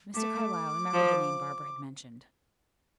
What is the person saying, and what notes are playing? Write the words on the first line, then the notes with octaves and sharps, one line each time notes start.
Mr. Carlyle remembered the name Barbara had mentioned.
A3 D6
F3